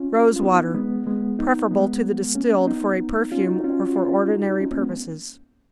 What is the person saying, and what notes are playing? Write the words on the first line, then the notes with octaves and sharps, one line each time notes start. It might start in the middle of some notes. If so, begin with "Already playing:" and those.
Rose-Water.--Preferable to the distilled for a perfume, or for ordinary purposes.
Already playing: C#4 F4
F4
B3 D#4
G#3 B3
G#3 B3
B3 D#4
G#3 B3
A#3 C#4
C#4
B3 D#4
C#4 F4
D#4 F#4
C#4 F4
F#4
C#4 F4
D#4 F#4
D#4
C#4 F4
A#3 C#4
G#3 B3